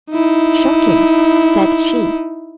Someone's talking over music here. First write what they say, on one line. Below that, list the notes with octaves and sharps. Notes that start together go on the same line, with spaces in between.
"Shocking!" said she.
D#4 E4